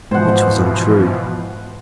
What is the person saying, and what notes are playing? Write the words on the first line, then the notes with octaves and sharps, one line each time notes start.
Which was untrue.
G#2 B2 E3 F3 C5 F#5